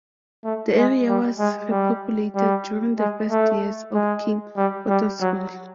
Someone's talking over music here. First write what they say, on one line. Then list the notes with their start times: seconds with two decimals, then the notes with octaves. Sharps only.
The area was repopulated during the first years of King Otto's rule.
0.44 A3
0.76 G#3
1.08 G3
1.39 G#3
1.71 G3
2.35 G3
2.99 G#3
3.30 A3
3.94 G#3
4.57 G3
4.89 G3
5.21 F#3